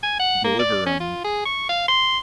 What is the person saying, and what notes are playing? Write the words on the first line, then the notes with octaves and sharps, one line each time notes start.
deliver 'em.
G#5
F#5
A#3
D5
C#4
F4
G#4
C#6
F5
C6